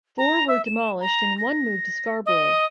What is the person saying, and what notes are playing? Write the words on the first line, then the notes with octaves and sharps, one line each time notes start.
Four were demolished and one moved to Scarborough.
A#5
E5
E7
A#5
A#6
D#5